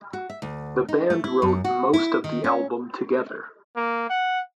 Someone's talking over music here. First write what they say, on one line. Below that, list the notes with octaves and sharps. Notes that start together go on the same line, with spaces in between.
The band wrote most of the album together.
F#4
E5
D2
D#4
A3
E4
F#2
F#4
E4
D#3
C#4
A#3
F#5